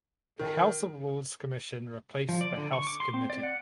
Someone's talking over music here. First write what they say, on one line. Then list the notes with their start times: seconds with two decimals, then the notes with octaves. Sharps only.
The House of Lords Commission replaced the House Committee.
0.39 D#3
2.29 F3
2.41 D5
2.57 D3
2.73 C#6
2.87 D6
3.00 C6
3.14 C4
3.30 D5
3.43 F#5